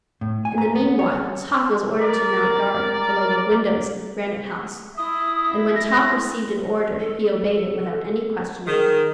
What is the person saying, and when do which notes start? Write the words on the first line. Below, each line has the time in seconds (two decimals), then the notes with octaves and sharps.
In the meanwhile Top was ordered to mount guard below the windows of Granite House, and when Top received an order he obeyed it without any questioning.
0.21 A2
0.45 G#5
0.58 A#5
0.75 B3
0.99 C#5
2.01 A#4 D5
4.97 E4 D#6
5.76 A#6
7.00 A4
8.66 D#3 G#4